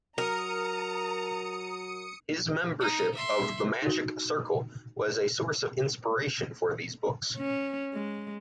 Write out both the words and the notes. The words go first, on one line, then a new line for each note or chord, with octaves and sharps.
His membership of The Magic Circle was a source of inspiration for these books.
F#3 A#4 A#5 D#6 C#7
D#4
E5 C6
D#4 F#4
C#4
G#3